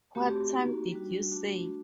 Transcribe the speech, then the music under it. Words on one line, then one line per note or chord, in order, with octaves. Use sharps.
What time did you say?
A3 C4 F#4 G4
G4
G4
A#3 D#4 F#4
G3 D4 F#4
A3 D4 F#4